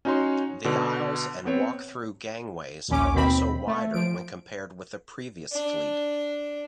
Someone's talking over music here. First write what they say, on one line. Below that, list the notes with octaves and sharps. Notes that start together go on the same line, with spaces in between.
The aisles and walk-through gangways are also wider when compared with the previous fleet.
C#4 D#4 F#4 C#5 C6
B2 D3
B3 C4 C#5
A#1 D#2 C#4 D6
D#2 B2 D#3 C4 B5
A3
F3 D7
D4